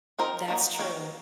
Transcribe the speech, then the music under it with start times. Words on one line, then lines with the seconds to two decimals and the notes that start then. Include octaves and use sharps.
That's true.
0.19 F3 C4 D#4 A#4
0.48 F#3 A#3 D#4
0.78 D#3 A#3 C#4